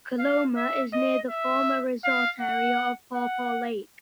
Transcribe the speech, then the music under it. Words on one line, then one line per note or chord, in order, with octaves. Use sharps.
Coloma is near the former resort area of Paw Paw Lake.
F5
E5
D#5
E5
F5
F#5
F#5